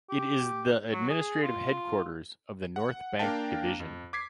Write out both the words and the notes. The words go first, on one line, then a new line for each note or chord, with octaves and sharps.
It is the Administrative headquarters of the North Bank Division.
G4
F#3
G#4
F4
F#5
A#3 D4 A#4 F5 G5 A5
F2
D6 G#6 B6 C7